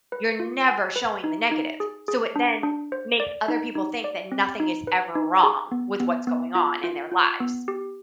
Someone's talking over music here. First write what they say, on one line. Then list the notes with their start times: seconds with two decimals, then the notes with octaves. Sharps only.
You're never showing the negative. So it then makes other people think that nothing is ever wrong with what's going on in their lives.
0.12 B4
0.40 F4
0.68 G#5
0.96 B4
1.24 D#4
1.52 D#4
1.80 G#4
2.08 G#4
2.36 D4
2.63 D4
2.92 C5
3.20 D5
3.48 D#4
3.75 D#4
4.04 D5
4.32 C4
4.60 D#4
4.87 B4
5.15 D#4
5.43 G#4
5.72 B3
6.00 B3
6.27 B3
6.55 F4
6.84 F4
7.12 F4
7.40 B3
7.68 G4